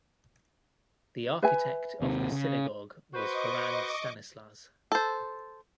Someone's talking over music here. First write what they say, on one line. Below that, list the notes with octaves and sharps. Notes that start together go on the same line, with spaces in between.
The architect of the synagogue was Ferrand Stanislas.
B4 E5 G#5
D#2 C3
C#3
F#4 B4 C5 D#5 C#6 D6
A4 C5